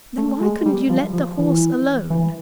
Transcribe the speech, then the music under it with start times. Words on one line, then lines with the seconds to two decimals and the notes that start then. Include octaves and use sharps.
"Then why couldn't you let the horse alone?"
0.18 A3
0.41 G#3
0.66 G3
0.89 F3
1.13 F3
1.38 E3
2.10 E3